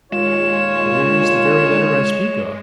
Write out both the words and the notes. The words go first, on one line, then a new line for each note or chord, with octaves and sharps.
'There is the very letter I speak of.
D#2 A#2 G#3 F4 C#5 E7